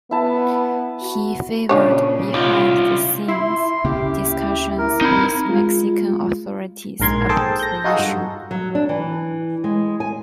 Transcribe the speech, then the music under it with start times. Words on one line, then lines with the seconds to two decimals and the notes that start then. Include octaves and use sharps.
He favored behind the scenes discussions with Mexican authorities about the issue.
0.11 B3 E4 A5
1.02 F#4
1.69 A#2 C#3 F3 D4 C#5
2.34 C2 D#4 F4
3.28 E4 C6
3.84 D2 C#3 A#3 G4
4.78 A#4
5.01 C4 D#4 B5
5.49 G#3 F4
7.00 A#1 G#2 A#4 C6 G#6
7.29 G#4 A4 C5 G5 A5
7.59 G6 A#6
7.84 D#4 F4 F#4 G#4 A4
7.99 G2
8.51 F#3
8.75 D4
8.89 E3
9.64 G#3
10.00 G#5